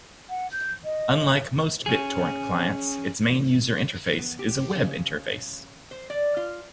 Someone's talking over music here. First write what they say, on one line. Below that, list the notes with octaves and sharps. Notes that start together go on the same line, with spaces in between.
Unlike most BitTorrent clients, its main user interface is a web interface.
F#5
G6
D#5
C#4 G#4
B3
G4
C#3
C5
D5
F4